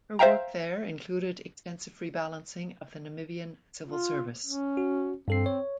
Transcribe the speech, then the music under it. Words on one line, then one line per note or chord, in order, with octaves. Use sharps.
Her work there included extensive rebalancing of the Namibian civil service.
C5 E5 F5 G5 A#5
F4
C#4
F#4
G2 C4 A4 C7
C#5